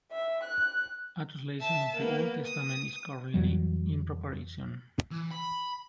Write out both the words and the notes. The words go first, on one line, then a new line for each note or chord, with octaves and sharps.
A translation of the Old Testament is currently in preparation.
E5
F#6
E5 A5
A#3 B3
D#6
F2 E3 F#3 G3
E3
B5